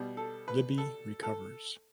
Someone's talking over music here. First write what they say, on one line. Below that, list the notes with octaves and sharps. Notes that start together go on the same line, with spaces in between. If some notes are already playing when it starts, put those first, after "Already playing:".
Libby recovers.
Already playing: B2 G3
A4
B4
A4
A4